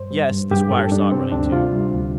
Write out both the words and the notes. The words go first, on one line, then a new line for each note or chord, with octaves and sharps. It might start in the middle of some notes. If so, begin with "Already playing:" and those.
Yes, the Squire saw it running too.
Already playing: G2 C5
G3
G2
G2 G4
G2 A4
G2 D4
C3 C4
D2 D4
C3 F4
G3
D2